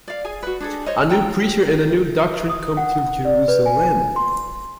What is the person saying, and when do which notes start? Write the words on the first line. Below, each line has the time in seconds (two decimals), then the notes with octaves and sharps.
A new preacher and a new doctrine come to Jerusalem.
0.08 D5 F5
0.25 G#4 G#5
0.43 F#4 B4
0.60 D4 G#4 A4
0.86 C5 C#5 D#5
1.10 A4 G5 A#5
2.49 D#6
2.77 F#5
3.25 D5
3.48 B4
3.66 G#5
4.16 C6